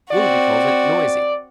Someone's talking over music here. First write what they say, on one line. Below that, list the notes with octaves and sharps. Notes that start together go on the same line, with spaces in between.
Willeby calls it noisy!
C4 F#4 D5